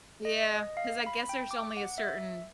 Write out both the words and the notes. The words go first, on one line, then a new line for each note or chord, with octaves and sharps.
Yeah, 'cause I guess there's only a certain
D#5
D#5
F5
B5
G5
D6
F#5
E5